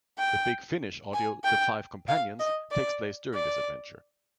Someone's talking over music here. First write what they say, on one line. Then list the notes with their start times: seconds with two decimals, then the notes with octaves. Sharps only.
The Big Finish audio "The Five Companions" takes place during this adventure.
0.19 G5
1.14 G#5
1.44 G5
2.08 F5
2.40 D#5
2.71 D5
3.34 D5